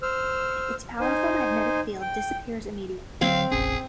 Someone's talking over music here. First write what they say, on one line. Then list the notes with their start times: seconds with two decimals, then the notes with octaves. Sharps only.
Its powerful magnetic field disappears immediately.
0.02 C5 E6 F6
1.00 D#4 C5 G#5
2.01 G5
3.21 D3 F#3 C4 F5
3.51 F1 A#1 C#4 G#4